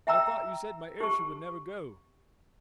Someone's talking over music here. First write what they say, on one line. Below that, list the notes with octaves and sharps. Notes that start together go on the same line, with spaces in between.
I thought you said my airship would never go!
E5 G5 A#5 E6
G4 C#6